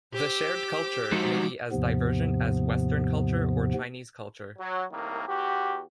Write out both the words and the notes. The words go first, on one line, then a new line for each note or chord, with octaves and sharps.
The shared culture may be as divergent as Western culture or Chinese culture.
G4 C5 D6 E6
F3 F#3 G#3 D#4 F#4
D#2 G#2 C3 F3 B3
F#3
C2 A2 D#3 A#3
E2 F#4 G4